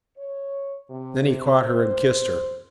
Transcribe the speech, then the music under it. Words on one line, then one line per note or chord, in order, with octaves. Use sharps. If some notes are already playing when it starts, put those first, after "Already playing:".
Then he caught her and kissed her.
C#5
C3
C5